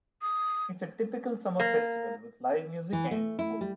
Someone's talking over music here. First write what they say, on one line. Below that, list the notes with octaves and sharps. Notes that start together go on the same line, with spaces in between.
It is a typical summer festival with live music and food.
D#6
A#3
E3
A3
E4
G3